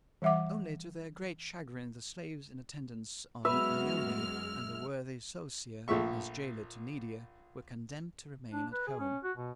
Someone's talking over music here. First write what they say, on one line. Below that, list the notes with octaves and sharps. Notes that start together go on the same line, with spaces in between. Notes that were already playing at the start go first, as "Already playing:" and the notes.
Only, to their great chagrin, the slaves in attendance on Ione, and the worthy Sosia, as gaoler to Nydia, were condemned to remain at home.
E3 G3 E5 F#5 D6
F#2 G#3 B3 F#4 B4 E5 F6
A#1 F3 A3 E5 C#6
D4
B4
G#4
C#4
F#4
B2